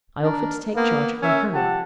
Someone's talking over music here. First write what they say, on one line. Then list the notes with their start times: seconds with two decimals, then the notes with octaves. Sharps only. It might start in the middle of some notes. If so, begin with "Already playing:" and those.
I offered to take charge of her home.
0.22 D4 A#4
0.75 A#3 B3
1.22 C#4 A#4 E5
1.53 F3 G4 F#5 A5